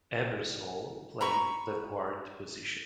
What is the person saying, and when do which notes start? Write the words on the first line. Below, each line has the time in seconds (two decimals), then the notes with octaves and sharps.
Ebersole played the guard position.
1.21 A#5 B5 C#6